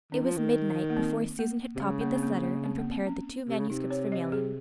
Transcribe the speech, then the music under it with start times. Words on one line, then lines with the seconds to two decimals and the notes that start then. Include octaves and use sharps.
It was midnight before Susan had copied this letter and prepared the two manuscripts for mailing.
0.12 D#3 C#4
0.24 F3
0.37 D#3
0.90 A#3
0.97 C4
1.39 A#3
1.75 C3
1.80 C#3 G#3
2.01 A#3
2.16 C4
2.23 A#3
2.43 A#3
2.64 C4
2.79 A#3
2.91 C4
3.07 C#4
3.49 C3
3.59 C#3
3.70 C3 D#4
3.91 C#5
4.12 D#5
4.32 G#4